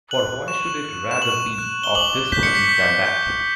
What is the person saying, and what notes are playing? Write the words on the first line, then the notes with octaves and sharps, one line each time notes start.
For why should it rather be of this one than that?
F#6 F#7
C#6 E7
F#6
E7
C#6 F#7
F#6
G7
D6 F#7
G6 B6
C#7
B6
D6 B6
G6